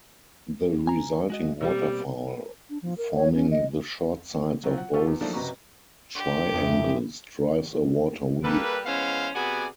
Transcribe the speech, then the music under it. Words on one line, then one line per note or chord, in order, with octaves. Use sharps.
The resulting waterfall, forming the short sides of both triangles, drives a water wheel.
G#5 A#5
G#3 F#4 D#5
B2 G3 A#3 C4
D4
F3
A#4
C#5
C#4
D#5
F#3 C4 F4
F#5
F4 G4 A4 F5 C#6
E2
D#3 F3 F#3 A3 A#3 D4
F#1 C3 F#4 B4 A#5 C#6
D3 G4
F2 A2 D4 G#4
G3 A#3 A4 B4
E3 G#3 B3 C#4 C5 F5
C3 B3 F#4 G#4 D5 G#5